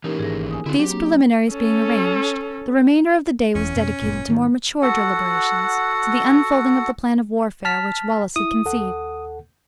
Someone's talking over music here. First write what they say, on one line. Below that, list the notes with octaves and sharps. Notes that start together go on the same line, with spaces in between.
These preliminaries being arranged, the remainder of the day was dedicated to more mature deliberations--to the unfolding of the plan of warfare which Wallace had conceived.
E3 A#3 C#4 D#4 G4 A#4
G#1 G#4 A#6
G#5 D#6
D3 C4 E4 F#4
F#3 G4
A#3 D4
C#4 A4
F1 E2 C#4
F2 B2 B3
G1 F#2 A#2
G#2 D#3
F#4 A4 F#5
A5 F6 B6
E4 D#6
D#2 A4 F#5